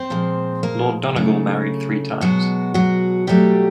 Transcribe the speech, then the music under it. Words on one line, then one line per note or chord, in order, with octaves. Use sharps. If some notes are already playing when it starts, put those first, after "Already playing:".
Lord Donegall married three times.
Already playing: C4 C5
A#2 F3 G#3
A#3 A#4
C#3 F#3 A3
B2 F#3 G#3 F#4
F#3 F#4
B2 F#3 G3 A3 G4